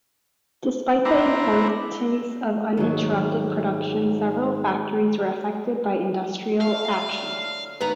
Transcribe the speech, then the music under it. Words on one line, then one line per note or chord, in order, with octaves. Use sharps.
Despite the importance of uninterrupted production, several factories were affected by industrial action.
B3 D4 E4 C5 A#5
G#2 D#3 F#3
F#3 A3 E4 F5
D3
D#2 B3 B4 A#5